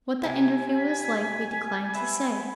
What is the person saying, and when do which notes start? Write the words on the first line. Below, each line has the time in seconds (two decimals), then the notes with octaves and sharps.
What that interview was like we decline to say.
0.24 C3 E4 G4 G#5
0.77 B6
1.94 B3 C4 E5 B5